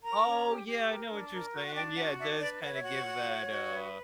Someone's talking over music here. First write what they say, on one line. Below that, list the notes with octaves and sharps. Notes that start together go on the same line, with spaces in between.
Oh, yeah, I know what you're saying. Yeah, it does kinda give that, uh,
A#4 A#5
C#4
G4
G4
A#4
D4
A#4
F#4
F#5
D4 G5
F#4 F#5
D4 E5
B4 D5
C#5 F#5
E5
F#4 F#5
F#4
C#5
F#4
B4